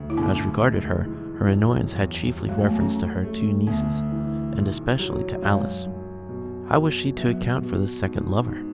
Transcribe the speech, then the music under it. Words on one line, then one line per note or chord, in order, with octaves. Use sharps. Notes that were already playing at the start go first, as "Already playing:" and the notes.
As regarded her, her annoyance had chiefly reference to her two nieces, and especially to Alice. How was she to account for this second lover?
Already playing: D2
E4
B1 B3 D4
G#3
E3
F#2
E2
F#3
G#3
A3
B3
A3 C#4
A3
D2 B3
E3
B1
F#3
F#2 G#3
F#2
B2
B2
F#3 B3
B2
G#2
G#2